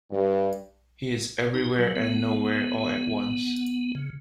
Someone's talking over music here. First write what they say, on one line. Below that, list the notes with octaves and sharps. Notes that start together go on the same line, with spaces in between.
He is everywhere and nowhere all at once.
G2
D#4
F#3
B3
B3
C#3